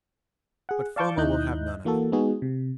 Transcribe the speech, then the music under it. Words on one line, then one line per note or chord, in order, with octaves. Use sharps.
But Foma will have none of it.
G#4 F#5
D5 F5 A5 C#6 D6 G6
D#2 D#4 E4 D#5 F#6 G6
E3 A#3 F#4 A4
G#3 B3 D#4 F#4 G#4
C3